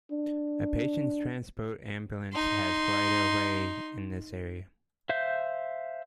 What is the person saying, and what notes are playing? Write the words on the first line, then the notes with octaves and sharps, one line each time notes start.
A patient transport ambulance has right of way in this area.
D4
D#4 C6
C5 E5 F5 G6